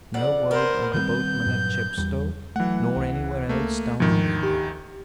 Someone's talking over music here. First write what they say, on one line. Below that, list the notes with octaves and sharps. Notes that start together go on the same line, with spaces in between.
No word of the boatman at Chepstow, nor anywhere else down the river.
F2 D5 F#5
B3 A#4 C5
D#3 G3 C4 G6
G2 A#2 F#3
E2 G3
E3 F#3 A3 F#5
C#2
A3 A#3
D2 G#2 D#3 F3
G4